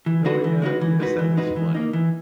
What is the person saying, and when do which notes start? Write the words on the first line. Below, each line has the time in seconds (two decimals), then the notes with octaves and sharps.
Oh, yeah, yes, that was funny.
0.06 E3
0.25 G#3 D#4 F#4 B4
0.44 E3
0.62 G#3 D#4 F#4 B4
0.81 E3
1.00 G#3 D#4 F#4 B4
1.19 E3
1.37 G#3 D#4 F#4 B4
1.56 E3
1.75 A#3 D#4
1.93 E3